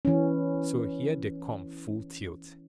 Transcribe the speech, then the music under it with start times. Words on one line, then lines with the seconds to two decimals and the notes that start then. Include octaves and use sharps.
So here they come, full tilt.
0.05 E3 C#4